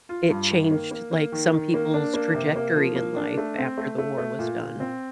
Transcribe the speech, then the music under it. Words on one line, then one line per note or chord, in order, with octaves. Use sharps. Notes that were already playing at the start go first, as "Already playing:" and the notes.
it changed, like, some people's trajectory in life after the war was done
F4
G2
D#3
A#3
A#3
A#3
D#3
D#3
A#3
D4
A#3
C3
A#3
F3
A#3
D4
A3
C4
A3
A3
A3
A#2
A#2
C4